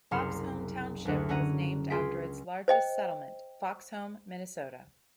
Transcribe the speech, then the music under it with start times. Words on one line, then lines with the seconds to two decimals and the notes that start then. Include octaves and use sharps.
Foxhome Township was named after its largest settlement, Foxhome, Minnesota.
0.11 F#1 C2 C6 F6 C#7 E7
1.05 F#1 D2 F#5
1.29 D3 C#4 F#4 F#5 A#5 D#7
1.90 C#2 F4 G#4 C6 B6 D7
2.68 C5 D#5 G5